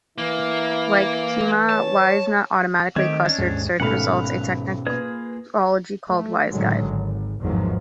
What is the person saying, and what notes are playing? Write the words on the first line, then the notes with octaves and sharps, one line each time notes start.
Like Teoma, WiseNut automatically clustered search results, a technology called "WiseGuide".
E3 A#3 E4
C#5 A5
D#3 A3 C4 G4 D#5 G#6
C#4 D4
D#2 G#2 G#3
G#1 B2 A3 C#4 F5 F#5 B5
A#3 F4 G#4 B4
A3
A2 D3 D#3 F#3 G#3
G#1
G#1 E2 G#2 D#3 F3 F#3